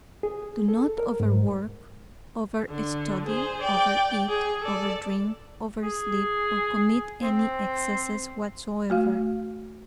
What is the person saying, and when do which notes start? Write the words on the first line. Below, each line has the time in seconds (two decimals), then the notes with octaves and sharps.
Do not over-work, over-study, over-eat, over-drink, over-sleep, or commit any excess whatsoever.
0.23 G#4
0.69 A4
0.98 A#4
1.20 G#2
2.69 D3
3.26 G#4 C5
3.61 D5 G5
4.29 G#4
4.62 A4 D5
5.83 G#4
7.22 C4
8.90 A3 F#4 F5